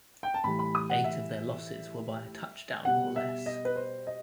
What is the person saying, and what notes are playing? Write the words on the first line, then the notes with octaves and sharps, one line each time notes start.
Eight of their losses were by a touchdown or less.
G5
A5
A2 E3 G3 B5
B5
D#6
F#5
E5
B2 G3 F#5
E5
D#5
B4
C5
D#5